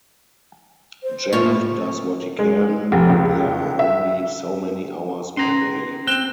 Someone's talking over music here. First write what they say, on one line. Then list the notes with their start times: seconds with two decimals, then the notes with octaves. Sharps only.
Jack does what he can, but there are only so many hours per day.
1.03 C5
1.33 A2 A#3 F4 C#5
2.39 G#3
2.92 F1
3.09 C#2
3.79 E5
5.37 C#4 A#5 C6
6.07 C4 F#6 G7